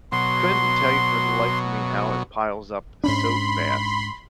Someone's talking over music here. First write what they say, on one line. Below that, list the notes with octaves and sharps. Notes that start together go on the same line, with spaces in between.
couldn't tell you, for the life of me, how it piles up so fast,
B2 F#3 C6
G#2 C#4 D4 B5 C6